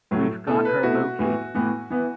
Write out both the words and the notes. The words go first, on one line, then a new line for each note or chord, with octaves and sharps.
We've got her located.
A2 F#3 A3
B2 A3 E4 A4
B4
B2 A3 E4 F#4
A2 E3 B3
A2 E3 B3
E3 B3 E4